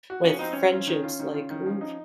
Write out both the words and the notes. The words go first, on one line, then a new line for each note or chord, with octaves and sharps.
with friendships, like, "oof."
F#4
F3 C#4
C4 D#4
C4 C#4
F4
D#3
F4
D#3
F4
D#3
F3
D#4